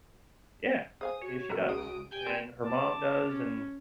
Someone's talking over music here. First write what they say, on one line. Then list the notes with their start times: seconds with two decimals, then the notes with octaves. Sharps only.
Yeah, yeah, she does. And her mom does and
1.01 G#4 C5 F5 G#5 D#6
1.21 F#4 C#5
1.50 A#2 A4 A#5
1.69 C#2 G#4 D#6 D7
2.11 G4 G5 G#5 G6
2.26 C4 B4
2.64 A5 D6
3.30 C#4